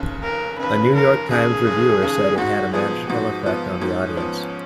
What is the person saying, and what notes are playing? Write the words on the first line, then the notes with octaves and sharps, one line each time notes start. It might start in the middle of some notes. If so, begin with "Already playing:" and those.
A "New York Times" reviewer said it had a "magical effect" on the audience.
Already playing: F1 D#2 C#3
F1 A#4
D#2 C#3 B4
F1 A#4
D#2 C#3 G#4
F1
D#2 C#3
G#2 F#4
F3 B3 G#4
G#2 F#4
F3 B3 F4
G#2 C#4
F3 B3